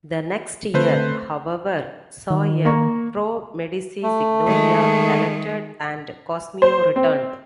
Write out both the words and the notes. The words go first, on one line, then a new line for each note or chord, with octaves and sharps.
The next year, however, saw a pro-Medici Signoria elected and Cosimo returned.
D3 A3 C4 B4 C5
D#3
A#3 A#5 C#6
A3
D#3 G#3
C5
C4